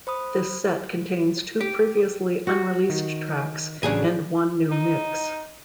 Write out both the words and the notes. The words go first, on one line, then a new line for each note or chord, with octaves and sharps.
This set contains two previously unreleased tracks and one new mix.
C5 B5 D#6
G4
F#4
D#3
A1 C#3 F#3 D4 G#4 G#5
D#4